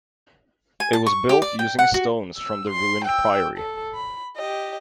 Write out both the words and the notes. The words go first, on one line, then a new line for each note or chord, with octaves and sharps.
It was built using stones from the ruined priory.
G#5
A5
C#6
G4
D5
G5
F#5
F#4
E6
C6
G5 E6
A4
B5
G4 D#5